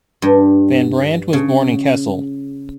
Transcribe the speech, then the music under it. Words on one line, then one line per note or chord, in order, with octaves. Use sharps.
Van Brandt was born in Kessel.
G2
C#3